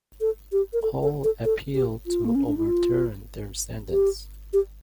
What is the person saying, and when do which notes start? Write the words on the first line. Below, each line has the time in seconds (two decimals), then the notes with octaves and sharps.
All appealed to overturn their sentence.
0.21 A4
0.52 G4
0.73 A#4
0.82 A4
1.02 A4
1.24 A4
1.45 A4
1.74 G4
2.06 F4
2.25 A#3
2.35 C#4
2.47 D4
2.57 E4
2.67 F4
3.90 G4
4.53 G4